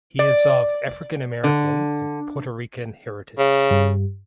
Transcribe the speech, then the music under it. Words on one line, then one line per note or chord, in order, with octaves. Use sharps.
He is of African American and Puerto Rican heritage.
D5
D3
C#3
G2